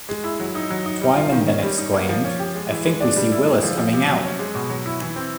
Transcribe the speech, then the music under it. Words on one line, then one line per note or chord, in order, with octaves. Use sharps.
Twyman then exclaimed: I think we see Willis coming out!
G#3
E4
F#3
D#4
F#3
D#4
G3
F4
D#3
C#4
G3
D#4
A#3
F3
C#4
G4
G#3
E3
G#3
D4
G3
E4
G#3
F3
F3
C3
F#3
C#4
G#3
B2
F#3
E4
E3
C4